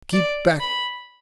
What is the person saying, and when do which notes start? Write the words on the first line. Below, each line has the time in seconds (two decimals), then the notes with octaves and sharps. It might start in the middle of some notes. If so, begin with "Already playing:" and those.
'Keep back!
0.13 D5
0.61 B5